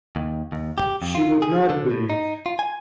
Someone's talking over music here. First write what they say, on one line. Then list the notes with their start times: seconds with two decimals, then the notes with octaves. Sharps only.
She would not believe.
0.16 D#2
0.52 D#2
0.78 G4
1.02 F2
1.15 F4
1.42 G#4
1.70 D3
1.91 A2
2.10 D#4
2.46 F4
2.59 G#5